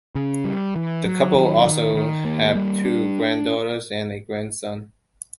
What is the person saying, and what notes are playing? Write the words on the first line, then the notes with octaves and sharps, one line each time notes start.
The couple also have two granddaughters and a grandson.
C#3
G3
E3
F#3
D#3
D#3
D#3
A#3
G3
D4